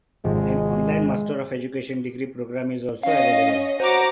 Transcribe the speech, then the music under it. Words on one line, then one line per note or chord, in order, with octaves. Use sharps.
An online Master of Education degree program is also available.
G#1 C3 F3 G#3
C#4 D#5 F5
F#4 C5 A#5 D6